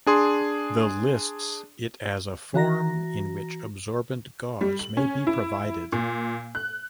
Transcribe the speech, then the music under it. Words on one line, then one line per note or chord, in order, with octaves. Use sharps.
The lists it as a form in which Absorbent Gauze may be provided.
D4 G#4 C6
E3 F#4 A#5 A#6
G3
F#7
C#4
E4
A#2
F#6